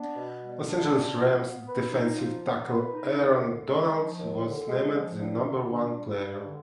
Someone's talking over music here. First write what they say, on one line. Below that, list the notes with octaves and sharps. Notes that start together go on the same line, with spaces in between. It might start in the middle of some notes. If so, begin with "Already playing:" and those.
Los Angeles Rams defensive tackle Aaron Donald was named the number one player.
Already playing: B3 D4
B2
G3
D4
B3
F3
B3
B4
D#4
F3
B3
B4
D#4
D#2
D3
G#3
F3
D#2
D3
G#3
F3
G2
D3
D4
G3
G2
D3